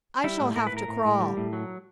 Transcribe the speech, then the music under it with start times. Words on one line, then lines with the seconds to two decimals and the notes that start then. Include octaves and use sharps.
I shall have to crawl.
0.24 G3 E4
0.40 A2
0.56 A2 A#4
0.67 B4
0.72 A2 A#4
0.88 A2
1.05 A2
1.21 G3
1.37 A2
1.53 F#3